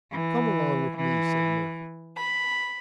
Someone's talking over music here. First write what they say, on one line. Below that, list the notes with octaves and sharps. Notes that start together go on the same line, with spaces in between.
"Come along with me," said Murphy.
E3
E3
B5